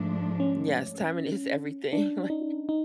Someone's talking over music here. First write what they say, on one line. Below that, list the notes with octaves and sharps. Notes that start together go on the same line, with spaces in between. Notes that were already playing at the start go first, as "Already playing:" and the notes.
Yes, timing is everything, like
Already playing: G#2 F3 A3 D4
C#4
D4
D#4
D#4